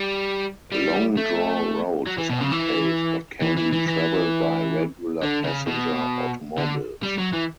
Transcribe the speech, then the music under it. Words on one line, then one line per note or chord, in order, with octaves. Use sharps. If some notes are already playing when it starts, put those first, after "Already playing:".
Long Draw Road is unpaved, but can be traveled by regular passenger automobiles.
Already playing: G3
G3
A3
F#3
E3
B2
C#3
E3
E3
E3
E3
E3
D3
C#3
B2
D3
G3
F#3
E3